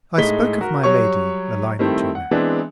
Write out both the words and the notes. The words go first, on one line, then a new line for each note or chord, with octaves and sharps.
I spoke of my lady a line or two back.
A2 G#3 D#4 B6 G7
F#4 A#4
F#3 G3 C#5 C#6
D#3 G3 A3 C4 E4
F#5
E3 G#3 B3 C4 D4